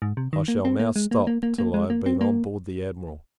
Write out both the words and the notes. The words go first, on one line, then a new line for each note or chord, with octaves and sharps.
I shall now stop, till I have been on board the Admiral.
G#2
C3
D#3
A#3
C4
A#3
G#3
A#3
A#3
A#3
A#3
G#3
A#3
C4
A#3